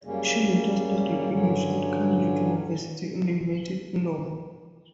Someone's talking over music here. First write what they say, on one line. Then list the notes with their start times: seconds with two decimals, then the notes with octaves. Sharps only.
She later studied English at Cambridge University in the United Kingdom.
0.04 F#2 C#3 G3 A#3 C#4
1.30 G2 D3 F#3 C#4